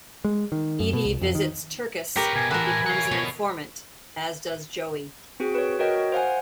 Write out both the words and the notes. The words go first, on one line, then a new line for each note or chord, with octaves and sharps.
Eadie visits Turkus and becomes an informant, as does Joey.
G#3
D#3
F#2
B2
C2
F2
D#3
G4 A#4 B4 C#5
B2 G#5
E3 A#4 B4 F#5 A5
G#5
C#5 F5
B2 C#5
C4 F#4 G#4
B4 C#5
F#4 A#4 C#5 D#5 G5
C5 F5 F#5 G#5